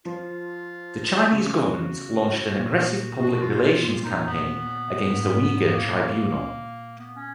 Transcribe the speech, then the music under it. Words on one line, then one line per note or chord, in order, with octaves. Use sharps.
The Chinese government launched an aggressive public relations campaign against the Uyghur Tribunal.
F3 F4
C#3 F#4
A#2
B2 F#4
F4
F4
A#2 F4
D#4
B3
G#2
A#2 A#3
B3
C#4